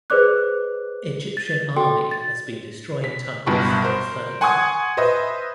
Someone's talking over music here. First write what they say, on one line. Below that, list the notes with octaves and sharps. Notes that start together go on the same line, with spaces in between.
Egyptian Army has been destroying tunnels by flooding them.
G#4 B4 C5 D5 D6 F#6
A6
F#4 A4 G5 C6
A6
B6
F#1 G2 B2 C#6
A#4 C5
F#5 G#5 C6 C#6 D#6 G#6
B4 C5 D#5 E5